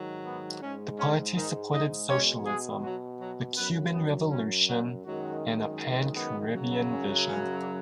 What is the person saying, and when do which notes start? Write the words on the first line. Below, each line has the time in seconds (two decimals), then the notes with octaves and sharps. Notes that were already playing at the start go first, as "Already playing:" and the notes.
The party supported socialism, the Cuban Revolution, and a pan-Caribbean vision.
Already playing: G#2 D#3 F#3
0.26 B3
0.62 G#2 G#3 C#4
0.99 C#4
1.36 D#3 D#4
1.73 D#4 D#5
2.10 B2 G#3 C#4 C#5
2.46 G#3 G#4
2.83 F#3 F#4
3.20 F#3 F#4
3.57 F#2 F#3 B3 B4
3.94 B3
4.31 C#4
4.68 F#3 F#4
5.05 F#2 D#3 F#3 G#3 F#4
6.16 B3
6.53 F#2 C#3 F#3
6.89 C#4
7.27 C#4